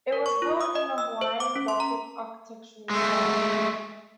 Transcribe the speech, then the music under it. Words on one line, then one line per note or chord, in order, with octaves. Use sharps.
It was built in the Hawaiian Gothic architectural style.
A#4
C#6
F4
D#6
D#5
E6
C5
D6
C#4
C6
A#5
G#3 A3